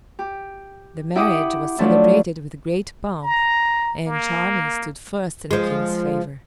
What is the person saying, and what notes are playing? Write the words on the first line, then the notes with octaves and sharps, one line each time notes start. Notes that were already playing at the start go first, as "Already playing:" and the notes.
The marriage was celebrated with great pomp, and Charming stood first in the King's favor.
G4
E4 G4 E5 F#5 D6 D#6
F3 F#3 A3 D4 E4
A#5
A#3
F3 G#3